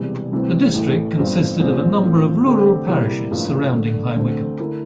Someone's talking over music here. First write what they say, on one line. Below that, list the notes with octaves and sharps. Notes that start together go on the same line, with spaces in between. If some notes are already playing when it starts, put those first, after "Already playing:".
The district consisted of a number of rural parishes surrounding High Wycombe.
Already playing: E1 E2 C3 G3
D2 C3 E3 G3 C4
A1 A2 E3 A3
G1 G2 F3 C4
A#1 A2 F3 C4
A2 F3 C4
D3 A3 C4 G4
C3 G3 A#3 E4
A1 G2 F3 A#3
D3 A3 D4
D2 D3 A3 C4
D3 A3 E4 A#4